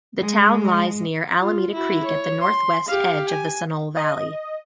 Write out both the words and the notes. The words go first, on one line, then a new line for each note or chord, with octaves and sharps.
The town lies near Alameda Creek at the northwest edge of the Sunol Valley.
G#3
F4
E4 F#4
C#5
C6
G4 F5
G#5
D#5